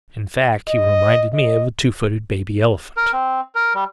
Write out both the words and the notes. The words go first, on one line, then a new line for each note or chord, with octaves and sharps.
In fact, he reminded me of a two-footed baby elephant.
D#5
D#5
A#4
C4
A#4
G3